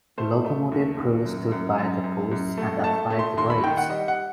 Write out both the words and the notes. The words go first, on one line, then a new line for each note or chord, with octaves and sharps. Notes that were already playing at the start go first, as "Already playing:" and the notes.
The locomotive crew stood by their posts and applied the brakes.
A3 C5
A3
D#2
D#2
F#2
F#2
F#2
F#2
F#2
A3
A3 A5
A3
C6
D#2 C6
B5
D#3 G5
F#5
G3 D#5
F#5